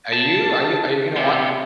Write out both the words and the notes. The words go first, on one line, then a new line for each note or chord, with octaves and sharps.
Are you are you are you gonna wa
A5
C3